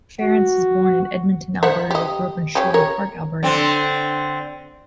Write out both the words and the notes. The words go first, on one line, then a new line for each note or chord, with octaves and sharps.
Ference was born in Edmonton, Alberta, but grew up in Sherwood Park, Alberta.
F#4
C5 E5 F#5
G4 D#5
G3 C#4 G4
A#4 C#5
D3 C4